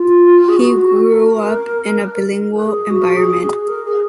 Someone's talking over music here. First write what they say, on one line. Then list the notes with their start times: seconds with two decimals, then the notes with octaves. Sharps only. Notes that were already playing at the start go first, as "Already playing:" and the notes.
He grew up in a bilingual environment.
Already playing: F4
0.48 G#4
0.56 F#4
1.08 A#4
2.64 G#4
2.90 F#4
3.16 G#4
3.41 G#4
3.68 A#4
3.85 G#4